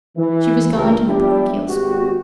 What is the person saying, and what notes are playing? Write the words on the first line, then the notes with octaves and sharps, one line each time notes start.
She was gone to the parochial school.
E3
C#2 G2 A#4
F3 B3 D4 E4 G4
G#1 F#4 G4